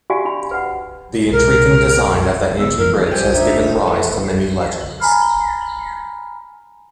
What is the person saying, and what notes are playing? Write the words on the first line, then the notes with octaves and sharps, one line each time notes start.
The intriguing design of the Anji bridge has given rise to many legends.
F#4 G4 D5 F5 G5 G#5
D4 B5
B4 F#5
C2 B2 G#3 A#4
D2 A2 B3 E6
F#2 E3 F3 A#4
F3 G3 G5 G#5
D2 D4 D#4 E5
G2 A3 B3 A4 B4
G#5 A#5 B5 F6